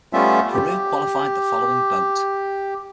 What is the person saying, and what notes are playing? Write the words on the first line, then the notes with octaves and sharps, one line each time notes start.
Peru qualified the following boat.
G3 A3 B3 C#4 F4 E5
G4